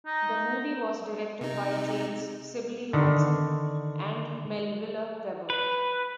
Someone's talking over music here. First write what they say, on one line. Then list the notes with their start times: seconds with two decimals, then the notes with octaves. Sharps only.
The movie was directed by James Sibley Watson and Melville Webber.
0.06 D#4
1.41 C3 D#4
2.93 D3 D#3
5.50 B4